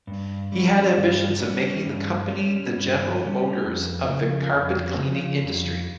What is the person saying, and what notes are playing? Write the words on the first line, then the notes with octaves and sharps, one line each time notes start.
He had ambitions of making the company the General Motors of the carpet-cleaning industry.
G2
G3 C#4
G2
G3 C#4
G2
G3 C#4
G2
G3 C#4
F2
C#3 F3
F2
C#3 F3
F2